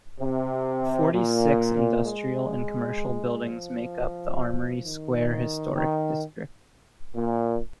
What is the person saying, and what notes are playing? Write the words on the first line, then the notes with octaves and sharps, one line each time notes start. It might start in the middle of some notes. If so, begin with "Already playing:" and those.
Forty-six industrial and commercial buildings make up the Armory Square Historic District.
C3
A#2
G#3
F3
D#3
D#3
A#2